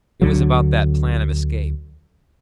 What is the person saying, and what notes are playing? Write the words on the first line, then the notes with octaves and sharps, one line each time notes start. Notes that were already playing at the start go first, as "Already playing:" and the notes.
It was about that plan of escape.
D2 D3 F#3